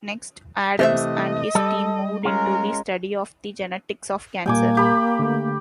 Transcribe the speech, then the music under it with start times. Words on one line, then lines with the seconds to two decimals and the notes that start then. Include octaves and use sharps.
Next, Adams and his team moved into the study of the genetics of cancer.
0.79 C3 E3 A3 G4 C5 D#5 E5
1.55 G3 A4
2.25 G#3 C#4 F4 A#4
4.46 A#2 G3 A#3 G5 G#5 D6
4.77 G4 B5
5.19 D3 A3